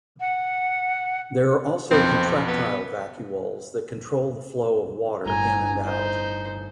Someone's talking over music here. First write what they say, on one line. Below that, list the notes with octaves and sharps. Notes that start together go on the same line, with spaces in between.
There are also contractile vacuoles that control the flow of water in and out.
F#5
B1 F2 C4
B3
G1 A2 G#5 A#5 G7
D#4 C5